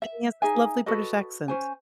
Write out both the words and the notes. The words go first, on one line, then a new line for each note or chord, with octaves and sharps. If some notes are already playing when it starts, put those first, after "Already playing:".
and he has this lovely British accent.
E5
D#4 G#4 E5 G#5
F#4 A4 B4 D#5
C#4 C5 G#5